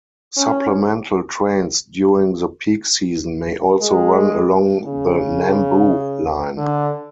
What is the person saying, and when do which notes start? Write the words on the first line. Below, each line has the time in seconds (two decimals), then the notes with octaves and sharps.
Supplemental trains during the peak season may also run along the Nambu Line.
0.37 C#4
3.81 G#3
4.85 C#3
6.58 D3